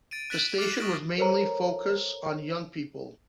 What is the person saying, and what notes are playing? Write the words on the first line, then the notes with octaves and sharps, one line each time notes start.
The station was mainly focus on young people.
A6 D7 D#7
F#6 A6 B6 D7 E7 F#7
D6 F6 A6 C7 E7 G7
C#6 D#6 A#6 B6 D7 F#7
A4 A#4 C5 C#5 A#5